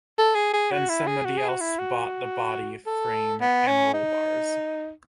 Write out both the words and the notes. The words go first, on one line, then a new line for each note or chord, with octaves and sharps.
Then somebody else bought the body, frame and roll bars.
A4
G#4
G#4
F#4
E4
G#4
F#4
G#4
F#4
E4
F#4
A4
B3
C#4
D#4